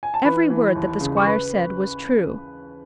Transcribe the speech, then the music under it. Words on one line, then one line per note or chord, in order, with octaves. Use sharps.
Every word that the squire said was true.
G#5
A5
E3 B4 B5
E3
D#2
C#3
C#6
B4 B5